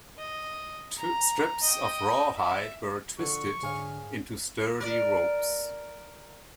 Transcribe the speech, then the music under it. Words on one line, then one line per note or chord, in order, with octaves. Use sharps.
Strips of rawhide were twisted into sturdy ropes.
D#5
A#5
D#5 G5
E5
D3 F3 C#6
G#2 D3 G#4 C#5 F5 G#5 C6
A#4 D5